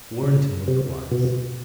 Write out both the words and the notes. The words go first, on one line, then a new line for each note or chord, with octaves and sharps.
Warrenton looked wise.
C#3
C3
B2